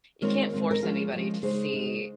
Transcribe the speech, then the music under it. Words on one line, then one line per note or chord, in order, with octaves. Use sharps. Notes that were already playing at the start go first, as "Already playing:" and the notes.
you can't force anybody to see
D#3 G#3 C4 F4 A#4 C#5
D#3 G#3 C4 F4
A#4
F3 G#3 C#4 F4 G#4
F3 G#3 C#4
C#3 G#3 D#4 G#4 C5
C#3 G#3 D#4